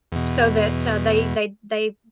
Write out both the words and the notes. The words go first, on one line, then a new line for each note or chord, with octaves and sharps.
so that, uh, they they they
E2 B2